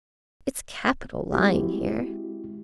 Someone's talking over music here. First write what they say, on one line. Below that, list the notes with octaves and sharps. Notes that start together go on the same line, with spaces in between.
"It's capital lying here."
G#3 C4 E4 F#4 G4